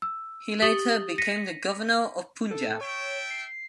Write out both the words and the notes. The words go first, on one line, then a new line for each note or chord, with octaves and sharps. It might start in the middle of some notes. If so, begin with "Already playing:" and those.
He later became the governor of Punjab.
E6
G4 D#6 A6 F#7 G7
A#6 B6 C#7 D#7
A4
A4 C#5 E5 G5
C7